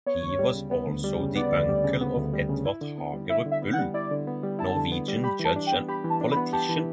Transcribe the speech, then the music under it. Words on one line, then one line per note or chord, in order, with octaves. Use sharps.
He was also the uncle of Edvard Hagerup Bull, Norwegian judge and politician.
B3 C#5
D2
G3
C#3
B3
D2
G3
C#3
B3 D5
D2
G3
C#3
B3
D2
G3
C#3
E4
D3
B3
G3
E4 E5
D3
E5
B3
F#5
G3
E4 D5
D3
B3
G3
E4 A5
D3
B3
G3
G4 B5
E3
A5
D4
G5
B3
G4 B5
E3
A5
D4
B5
B3
G4 A5
E3